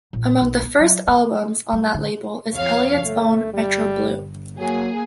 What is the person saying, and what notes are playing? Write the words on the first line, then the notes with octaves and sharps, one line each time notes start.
Among the first albums on that label is Elliot's own "Metro Blue".
A#1
B1
B3
F#3
A#3
G3
D3
F2 C#5 F5
G1 A3
G3
F#3 A#3 G#4